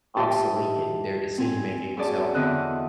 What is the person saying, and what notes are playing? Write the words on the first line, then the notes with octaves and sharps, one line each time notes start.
obsolete in their decision making and so,
G4 C5 D#5 E5 G5 A5
C4 G#5
F#2 G#4 D5 A5
E2 D3 C4 D#5 E5 F#6